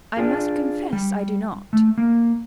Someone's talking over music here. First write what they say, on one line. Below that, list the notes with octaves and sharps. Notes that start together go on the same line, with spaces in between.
"I must confess I do not."
D4 F4 G#4
G3
A3
A#3